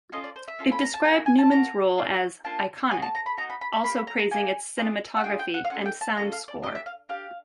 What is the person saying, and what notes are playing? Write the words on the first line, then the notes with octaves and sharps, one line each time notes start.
It described Newman's role as "iconic," also praising its cinematography and sound score.
C#4 F4 A4 D#5
D5
C5
E5
C#4 F4 A4
B5
A#5
A5
A#3 D#4 F#4 G#5
G#5
A5
A#3 D#4 F#4 A#5
A#3 D4 F4
A#3 D4 F4 A5
B3 D#4 F#4 G#5
A5
A#5
B5
B3 D#4 F#4 A#5
B5
B5
B5
A#3 D#4 G4 B5
B5
A#5
A#5
A#3 D#4 G4 G#5
D4 F4 G#4
F#5
D4 F4 G#4 G5
G5
F#5
F5
C#4 F4 A4 F#5
G5
A5
C#4 F4 A4 A#5
F5
D5
D4 G4 D#5
E5
F5
D4 G4 F5